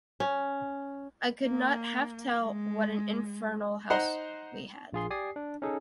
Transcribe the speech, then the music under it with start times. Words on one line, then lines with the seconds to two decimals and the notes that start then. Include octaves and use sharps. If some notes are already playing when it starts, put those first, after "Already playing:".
I could not half tell what an infernal house we had.
0.20 C#4
1.43 A#3
2.42 G#3
3.90 D#4 C5 F#5 A#5 C6
4.93 A#1 F4 G#4 C6
5.10 G4 D5 G#5 D#6 C7
5.36 D4
5.62 C#4 D#4 G#4 A4